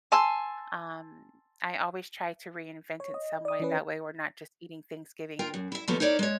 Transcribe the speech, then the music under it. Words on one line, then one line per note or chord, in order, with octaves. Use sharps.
Um, I always try to reinvent it some way, that way we're not just eating Thanksgiving
G#5 A5 C6 E6
C#5
D#5
D5 D#6
E3 C#4 B4
F4 A#4 G5
F#2
E4 E5
D#2 F3 F#3 A3 B3
D#4 E4 A#4 C#5 D5
G#3 C#5